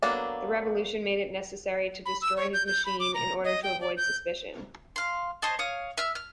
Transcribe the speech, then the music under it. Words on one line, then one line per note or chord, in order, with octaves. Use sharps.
The Revolution made it necessary to destroy his machine in order to avoid suspicion.
F#3 A#3 B3 D4 A4
B5
E6
C#5
G6
G6
B5
D6
A#5
D#5
G5
D5
G6
F5 C6
C5 C#5 D#5 A5
C#5 F5 D#6
E5 E6 F6
F6